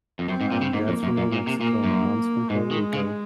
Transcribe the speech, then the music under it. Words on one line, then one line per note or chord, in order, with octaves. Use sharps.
um, dad's from Old Mexico, my mom's from Puerto Rico,
F2
F#2 C4
G#2
A#2
C#3
G#2 A#3
F2
F#2
F#2
A#2
C3
A#2 A#3
F#2
G#2 G#3
D#3
C#3